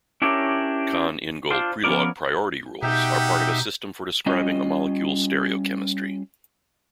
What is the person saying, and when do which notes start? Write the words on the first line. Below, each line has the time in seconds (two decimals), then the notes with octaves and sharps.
Cahn-Ingold-Prelog priority rules are part of a system for describing a molecule's stereochemistry.
0.22 C#4 D4 E4 G4 A#4 C#5
1.51 D4 F4 C5
1.84 F3 B3 C#4 A#4 D5
2.82 B2 D#4 G4 E5 F#5 G5 G6
4.26 G3 C#4 F4 D#5